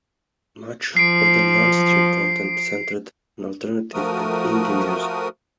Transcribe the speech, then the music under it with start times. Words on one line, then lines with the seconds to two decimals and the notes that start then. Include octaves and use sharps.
Much of the non-strip content centred on alternative and indie music.
0.97 F3 C7 D7
3.94 F3 A3 F#4 A#4 D#6